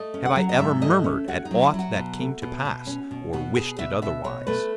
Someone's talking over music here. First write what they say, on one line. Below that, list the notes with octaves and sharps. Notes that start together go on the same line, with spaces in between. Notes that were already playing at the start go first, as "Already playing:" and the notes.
Have I ever murmured at aught that came to pass, or wished it otherwise?
Already playing: A3 D#5
C#4
F#5
F#3
D#5
G#2 E5
A3 D#5
C#4
C#4 F#4
D#4
F#3
E4
F#3 F#4
B2
A3
B2
B2
C#4
B2
B2 F#4
B2 G#4
B2 E5
B2 E5
B2 C#5
A3 B4